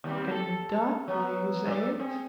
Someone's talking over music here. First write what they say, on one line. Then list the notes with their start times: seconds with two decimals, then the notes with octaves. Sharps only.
And the Duck lays eggs.
0.04 D#2 G3 C4
0.31 A4
1.08 F#3 B3
1.66 F#3 D5
2.00 C4 G#4